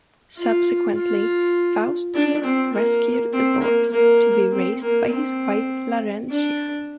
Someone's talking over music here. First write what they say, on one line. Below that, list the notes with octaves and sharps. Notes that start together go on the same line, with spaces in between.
Subsequently Faustulus rescued the boys, to be raised by his wife Larentia.
F4
F4
D4
C4
A#3
C4
A#3
A#3
C4
A#3
C4
D4